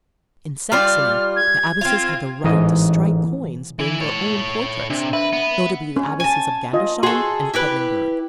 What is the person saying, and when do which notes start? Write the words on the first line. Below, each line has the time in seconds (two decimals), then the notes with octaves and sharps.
In Saxony, the abbesses had the right to strike coins bearing their own portraits, notably the abbesses of Gandersheim and Quedlinburg.
0.72 G3 F4 D5 F6
1.36 G#6
1.81 C4 F4
2.44 A1 G#2 E3 D#5
3.79 E3 E4
4.00 A4 C#5
4.90 C3 D4
5.13 B4 E5
5.33 B3
5.96 C#4
6.20 G#5 A5
6.73 F4 D#5
7.03 F#4 G#4 A4 C6
7.54 E4 G4 B4